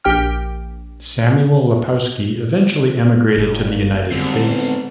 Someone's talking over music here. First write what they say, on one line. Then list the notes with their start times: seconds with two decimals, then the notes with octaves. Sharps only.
Samuel Lapowski eventually emigrated to the United States.
0.05 A#1 G4 G5 F6
3.37 F#1 F#3
3.69 A#3
4.12 G#2 D3 G3 C4
4.44 B3